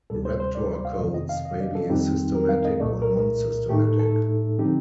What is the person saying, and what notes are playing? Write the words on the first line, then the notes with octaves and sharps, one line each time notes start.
Raptor codes may be systematic or non-systematic.
D2 C3 G3 A4
C5
C5
D5
F5
F2 C3 D#3 A3 D#5
D#5
F5
D#5
D5
A4
F2 D#3 G3 C4 D#4 G4
A#4
F5
D#5
C2 A#2 A3 D5
A#4
A2 A3 D#4 G4
A4
A4
D3 F3 C4 D#4 G4